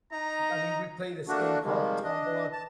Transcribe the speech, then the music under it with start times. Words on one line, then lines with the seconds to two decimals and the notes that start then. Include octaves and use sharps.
I mean, we play this game called Tombola,
0.12 D#4 A#5
1.28 A3 A#3 D4 F#4
1.64 C3 D#3 F3 G3 G#3 A#3
2.03 D4 D#5
2.52 A5